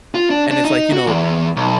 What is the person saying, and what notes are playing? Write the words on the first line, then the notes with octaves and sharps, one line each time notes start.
And it's like, you know,
F4
D4
D4
D#4
F#4
E2
B1